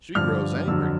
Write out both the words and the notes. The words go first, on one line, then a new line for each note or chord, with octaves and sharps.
She grows angry.
G2 D3 F3 F6
F2 D3 F#3 E6